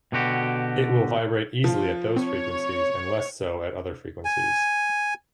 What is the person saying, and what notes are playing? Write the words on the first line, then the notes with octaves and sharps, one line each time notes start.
It will vibrate easily at those frequencies, and less so at other frequencies.
B2 D3 F#4 G4
F3 F4
C4 C#5
G#5